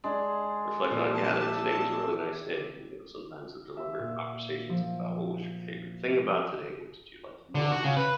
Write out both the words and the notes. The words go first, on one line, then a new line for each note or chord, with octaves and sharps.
reflect on it, "Yeah, today was a really nice day," and you know, sometimes the deliberate conversations about what was your favorite thing about today, what did you like the most,
G#3 D4
A#2 F3 D4
A5
G4 D5 E5
E5
A#2
F3
D3
F#4
C#3
B4